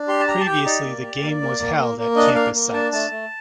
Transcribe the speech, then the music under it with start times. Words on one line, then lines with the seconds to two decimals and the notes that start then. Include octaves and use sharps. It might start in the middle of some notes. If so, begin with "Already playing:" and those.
Previously the game was held at campus sites.
Already playing: D4
0.08 G4 C6
0.20 A5
0.27 G4 A#5
0.40 A5
0.46 G4 G5
0.65 D#4 D5
0.84 A#3
1.02 G4
1.21 A#3
1.41 A#3
1.59 A#3
1.79 A#3
1.98 A#3
2.16 D4 D#5
2.35 A#3 F5
2.54 A#3
2.73 D4 A5
2.93 A3 A5
3.10 A3